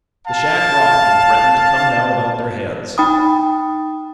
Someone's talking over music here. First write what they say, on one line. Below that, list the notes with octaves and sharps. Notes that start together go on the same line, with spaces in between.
The shack rocked, and threatened to come down about their heads.
F5 A5
D#4 G5 B5 D#6